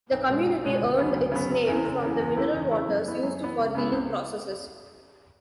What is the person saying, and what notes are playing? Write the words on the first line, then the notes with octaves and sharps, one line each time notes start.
The community earned its name from the mineral waters used for healing processes.
B1
B2 G#3 D4
B1
B2 G#3 D4
D2
C#3 F#3 B3
D2
C#3 F#3 B3
F#1
E2 C#3 E3
F#1
E2 C#3 E3
E2
C#3 E3 A3 E4
E2
C#3 E3 A3 E4
F#2
E3 B3
F#2
E3 B3
C#2
C#3 G#3 B3 E4
C#2